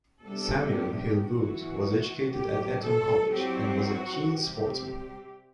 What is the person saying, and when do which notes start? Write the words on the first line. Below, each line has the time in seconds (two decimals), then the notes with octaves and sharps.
Samuel Hill Wood was educated at Eton College and was a keen sportsman.
0.24 C3 G3 B3 D4 A4
0.75 G4
1.27 E3 B3 E4 F#4
2.30 A2 F#3 B3 G4
2.81 A4
3.32 F#3 C4 E4 G4
3.85 F#4
4.35 C3 G3 C4 G4